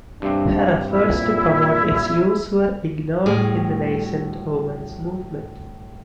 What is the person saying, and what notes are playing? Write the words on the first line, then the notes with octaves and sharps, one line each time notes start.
Her efforts to promote its use were ignored in the nascent Women's Movement.
G2 C3 C4 D4
A#2 E4
D2 A2 G3 G#4